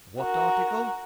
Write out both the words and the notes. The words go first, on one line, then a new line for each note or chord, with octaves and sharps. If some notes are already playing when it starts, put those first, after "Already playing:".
"What article?"
F#4 A#4